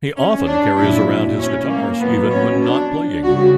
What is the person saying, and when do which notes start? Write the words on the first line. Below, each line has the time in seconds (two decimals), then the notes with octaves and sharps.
He often carries around his guitars even when not playing.
0.16 C#4
0.46 D4
0.77 A#2 F#3 E4
1.38 C#4
1.69 A#3
2.00 B2 F#3 B3
2.30 C#4
2.61 D4
3.22 C#3 G3 F#4